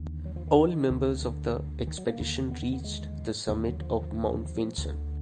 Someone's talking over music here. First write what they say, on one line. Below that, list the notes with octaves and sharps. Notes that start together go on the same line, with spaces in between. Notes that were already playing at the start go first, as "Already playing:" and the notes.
All members of the expedition reached the summit of Mount Vinson.
Already playing: D#2 D3
F#3
F3
D#3
D#3
D2 D3
D3
D#3
F#3
A#3
D#2 D3
B3
B3
B3
G#3
D#2 D3 A#3
F#3
F3
D2 D3